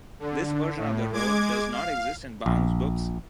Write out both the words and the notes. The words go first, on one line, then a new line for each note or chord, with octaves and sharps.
This version of the road does not exist in Baum's books.
D3
A2
G#3 D6 G#6
F5
A#1